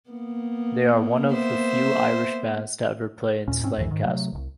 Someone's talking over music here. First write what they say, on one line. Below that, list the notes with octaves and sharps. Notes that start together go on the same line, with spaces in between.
They are one of the few Irish bands to ever play in Slane Castle.
A#3 B3
C5 E5
D#2 A#2 C#4
G#2 C4 C#4
C#2 F#2 D#3 E3
G#2 D#3
C3 F#3 A3
D1 C2